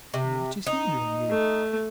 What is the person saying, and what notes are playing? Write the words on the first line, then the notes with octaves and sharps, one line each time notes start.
"What is hindering you?"
C3
D#4
A3